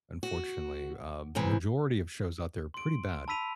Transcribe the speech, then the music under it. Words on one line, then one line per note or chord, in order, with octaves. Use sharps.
unfortunately, um, the majority of shows out there are pretty bad.
F#4
G#2 C3 E3
C6 D7
A5 B5 E6 B6 D#7 F7